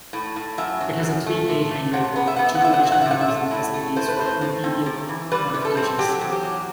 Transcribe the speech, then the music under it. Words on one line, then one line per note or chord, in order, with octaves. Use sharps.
It has a three-bay hangar with two additional 'Nose In' facilities for interior modifications.
A2
A2
F#2 E5
F#3
F#2
A3
C3
A3
C3 F#5
B3
E5
B3 F#5
E5
F#5
C3 E5
F#5
F#3 E5
F#5
E5
C3
F#5
E5
A3
A2
A3
A2 C5
B4
A2 C5
A2
C4
C3
E3
G3 B4
C3
A4
C4
F#3 G4
E2
G4
F#3